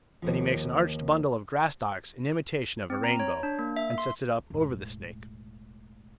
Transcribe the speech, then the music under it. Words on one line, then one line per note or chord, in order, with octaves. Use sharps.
Then he makes an arched bundle of grass stalks in imitation of a rainbow, and sets it up over the snake.
D#2 G#2 F3
C4
A#5
C#5
D4
A#3
E5
C6
E1 A2